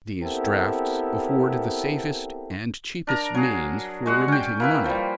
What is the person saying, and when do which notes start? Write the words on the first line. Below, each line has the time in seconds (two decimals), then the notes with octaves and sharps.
These drafts afford the safest and cheapest means for remitting money.
0.22 B3 C4 E4 G4 A4 A#4
3.07 D4 A#4 A#5
3.35 F#3 G#4
4.06 G#3 F#4 F#5
4.28 C#4 G5
4.60 A#3 E4 B4
4.85 F3 G3